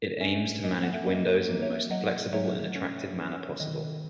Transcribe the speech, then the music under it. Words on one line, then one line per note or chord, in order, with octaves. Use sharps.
It aims to manage windows in the most flexible and attractive manner possible.
C#4 E5 G#5
A#3 D#5
F#5
E5
A#3 D#5
D#5
A#3
C#5 E5
F#3 D#5 F#5
F#3 C#5 E5
C#4
C#4
D#3 D#5